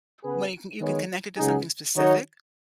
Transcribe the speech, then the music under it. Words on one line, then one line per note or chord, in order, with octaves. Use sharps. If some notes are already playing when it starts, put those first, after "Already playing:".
when you can you can connect it to something specific,
C#3 B3 G#4 B4
D#3 G#3 B3 G#4 C#5
C#2 C#3 F#3 D#4 G#4
D#3 F#3 D#4 F#4 C#5